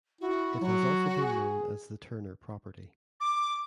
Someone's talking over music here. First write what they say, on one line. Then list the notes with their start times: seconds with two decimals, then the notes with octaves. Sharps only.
It has also been known as the Turner Property.
0.21 E4 F#4
0.61 F#3 F#4
1.18 G#4
3.20 D6